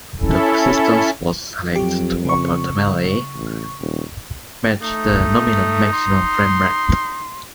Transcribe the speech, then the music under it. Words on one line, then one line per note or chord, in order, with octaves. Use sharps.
The persistence was selected to optimally match the nominal maximum frame rate.
C#4 E4 A4
F2 F#3 G4
C#3 C#6
A1
D#1
A3 D#4
C6